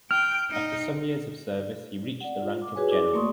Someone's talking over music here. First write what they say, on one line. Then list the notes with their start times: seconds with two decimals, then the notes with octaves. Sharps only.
After some years of service, he reached the rank of general.
0.11 G5 F6
0.51 D#4
2.21 D5 F#5
2.42 F4
2.62 D6
2.75 F#4 G#4 B4 C#5 G#5
2.89 E4 G#4 D5 D6
3.13 A3 A#3 D5 C6 C#6 D#6